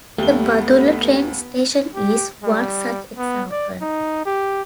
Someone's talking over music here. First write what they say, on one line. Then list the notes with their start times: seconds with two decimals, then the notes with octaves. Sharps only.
The Badulla train station is one such example.
0.18 D#2 G3 A3 B3 G7
1.95 G4
2.43 G3
3.18 B3
3.51 D5
3.82 D#4
4.26 G4